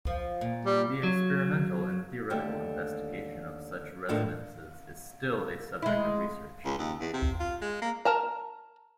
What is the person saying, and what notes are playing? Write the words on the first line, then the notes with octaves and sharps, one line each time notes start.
The experimental and theoretical investigation of such resonances is still a subject of research.
F3
A#2
G3
F#3
D#2 D3 A3 G4
A2 D#3 F3 A3 D4 F4
G#3 E4
C#2
D#2
E2
C3
F4
G#3
A#3
A#4 A5 A#5